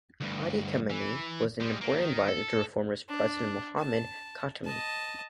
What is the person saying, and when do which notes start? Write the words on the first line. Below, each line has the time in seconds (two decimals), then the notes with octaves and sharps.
Hadi Khamenei was an important adviser to reformist President Mohammad Khatami.
0.21 D2 G2
0.90 E3
1.60 G3 G#3
1.81 A#2 A#3
1.99 D#3
2.28 A4
3.09 D4
3.78 A5
4.65 D#5 A5